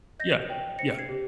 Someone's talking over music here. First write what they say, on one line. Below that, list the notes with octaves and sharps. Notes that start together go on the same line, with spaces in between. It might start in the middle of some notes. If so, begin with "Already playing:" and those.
yeah, yeah.
D#5 G6 A#6
G5
C5 A#6 C#7
G#6 C7
G4